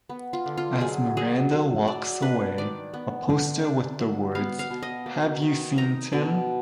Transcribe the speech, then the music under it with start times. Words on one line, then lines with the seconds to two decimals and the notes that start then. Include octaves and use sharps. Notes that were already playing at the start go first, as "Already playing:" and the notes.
As Miranda walks away, a poster with the words Have you seen Tim?
0.10 B3
0.33 F4
0.46 D3
0.57 F4
0.81 F#3 G#4
1.17 F#3 G#4
1.53 F#3
1.87 F#3 D5
2.22 D4 B4
2.58 D#3 D5
2.94 B3
3.30 D3
3.64 D4
4.00 F#3
4.35 B3 F5
4.59 F5
4.70 B2
4.83 D#5
5.06 A#3
5.42 D#3
5.78 D#4 A#5
6.13 B2